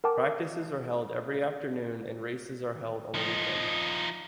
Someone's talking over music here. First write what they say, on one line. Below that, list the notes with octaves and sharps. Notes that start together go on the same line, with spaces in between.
Practices are held every afternoon and races are held on the weekend.
A#4 F#5 G5 A5 D6
F3 D#4